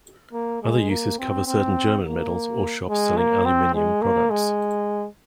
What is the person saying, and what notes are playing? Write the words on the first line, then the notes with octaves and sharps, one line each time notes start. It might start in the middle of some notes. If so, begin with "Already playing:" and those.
Other uses cover certain German medals or shops selling aluminium products.
A#3
G#3
A#3
C4
C4
A#3
G#3
A#3
C4
G#3
A#3
G#3